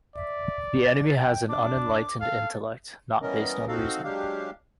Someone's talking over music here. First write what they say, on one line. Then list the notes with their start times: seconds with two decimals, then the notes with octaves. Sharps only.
The enemy has an unenlightened intellect, not based on reason.
0.16 D5 E5
0.83 A6
1.19 G5
1.49 D4 D6
2.21 A4 F5
3.22 E3 G3 B3 C#4 A#4 D#5
3.68 C4 D#4 F#4 A4 F5
4.04 F#3 G#3 D4 G4 F5